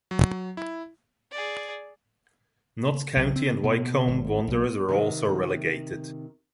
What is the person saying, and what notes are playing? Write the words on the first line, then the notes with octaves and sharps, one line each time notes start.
Notts County and Wycombe Wanderers were also relegated.
F#3
E4
G#4 D5
B1
C4
B2
G#1
B1
C3 D#3